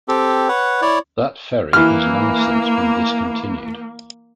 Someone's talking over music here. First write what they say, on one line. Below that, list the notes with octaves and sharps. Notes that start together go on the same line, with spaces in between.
That ferry has long since been discontinued.
C4 G4 A4
B4 C#5 F#5
E4 C#5 D5
E3 A#3 F6